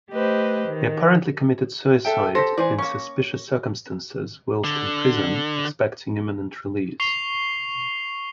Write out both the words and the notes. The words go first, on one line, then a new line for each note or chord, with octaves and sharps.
He apparently committed suicide in suspicious circumstances whilst in prison expecting imminent release.
A3 G4 B4 C5 D#5
D#3
A4 E5 G5
G4 A4 C5 E6 A#6
E3 C5 D5 G#5
A#3 C#4 C#6
D3
C#6 C7 F7 G7